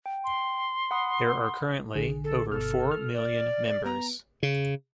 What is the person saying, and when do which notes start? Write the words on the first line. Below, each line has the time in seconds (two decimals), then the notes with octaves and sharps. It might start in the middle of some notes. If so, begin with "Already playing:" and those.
There are currently over four million members.
0.06 G5
0.24 C6
0.91 F#5 B5 D#6
1.95 A#1 D3 G#4
2.24 A4
2.52 G1 B2 A4 F6
2.91 F6
3.13 D5
3.85 B3 A#5
4.43 C#3